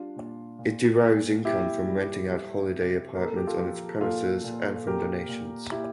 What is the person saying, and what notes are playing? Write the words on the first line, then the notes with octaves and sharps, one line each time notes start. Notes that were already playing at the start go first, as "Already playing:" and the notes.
It derives income from renting out holiday apartments on its premises and from donations.
Already playing: G3 D4 F4
A#2
A#2
A#2
G3 E4 G4
G3
G3
C3
A#2 A#4
A4
G4
F4 A4
F3
A#2 F4 A4
A#2
A#2 G4 A#4
A#2
A#2 E4 G4